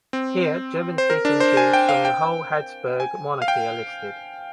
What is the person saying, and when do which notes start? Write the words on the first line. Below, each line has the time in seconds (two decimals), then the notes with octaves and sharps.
Here German-speaking Jews from the whole Habsburg Monarchy are listed.
0.13 C4
0.98 C5
1.10 A#4
1.25 D4
1.40 C5
1.57 G#5
1.73 G5
1.89 F5
2.05 G5
3.00 G#5
3.42 F5
3.48 G5